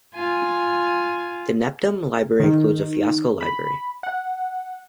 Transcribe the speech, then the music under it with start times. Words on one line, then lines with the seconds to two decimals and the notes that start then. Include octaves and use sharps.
The Netpbm library includes a Fiasco library.
0.14 F4 G#5
2.40 D#3
3.41 B5
4.03 F#5